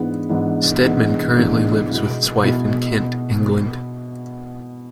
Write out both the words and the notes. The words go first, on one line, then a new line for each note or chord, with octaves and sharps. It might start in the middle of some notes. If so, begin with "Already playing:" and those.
Steadman currently lives with his wife in Kent, England.
Already playing: G#2 E3 G#3 B3 D4
G#2 E3 G#3 B3 D4
G#2 E3 G#3 B3 D4
G#2 E3 G#3 B3 D4
B2 G#3 B3 E4
B2 G#3 B3 E4